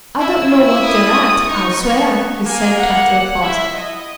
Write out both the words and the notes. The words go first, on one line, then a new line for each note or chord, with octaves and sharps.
"I don't know what you're at, I'll swear," he said after a pause.
E4 E6
E4
D#6
D#4 C#6
B3 C#6
A#3 G#5
F#5
E4 E5
D#5